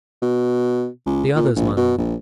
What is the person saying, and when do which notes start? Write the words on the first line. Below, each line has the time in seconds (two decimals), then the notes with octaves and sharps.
"The others, my lord!"
0.22 B2
1.06 C#2
1.36 A#2
1.56 A#1
1.77 B2
1.98 A#1